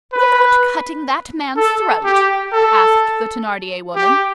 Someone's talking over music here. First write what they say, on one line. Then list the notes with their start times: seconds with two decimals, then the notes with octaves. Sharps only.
"Without cutting that man's throat?" asked, the Thenardier woman.
0.13 B4
1.57 A4
2.04 G4
2.52 A4
3.96 G4